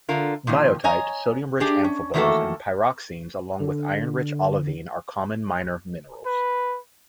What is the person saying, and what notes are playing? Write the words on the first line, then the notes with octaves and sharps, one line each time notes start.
Biotite, sodium-rich amphiboles and pyroxenes along with iron-rich olivine are common minor minerals.
D3 F4 A#4
A#2 D#3 F3
C#5 D#5 G#5 A#5
D4 G4 G#4
C#4
D#3 E3 A3 A#3 F#4 A4
D3
B4